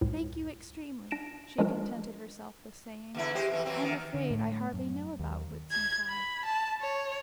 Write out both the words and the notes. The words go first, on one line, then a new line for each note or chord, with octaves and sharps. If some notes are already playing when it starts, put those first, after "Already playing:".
"Thank you extremely," she contented herself with saying; "I'm afraid I hardly know about Whitsuntide."
C#2 A2
D4 A#6 D7 E7
F3 G#3 C#4 D4 F4 A#4
E2 D3 E4
G#3 G4 C5
F2 E3
E3 F#3 C4
E2 D#3
D3
A2
F#2
D#2
G#6
B5
A5
C#5